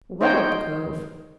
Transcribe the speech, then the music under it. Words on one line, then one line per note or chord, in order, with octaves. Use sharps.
"What old cove?"
D#4 C5 C#5 D#5 G5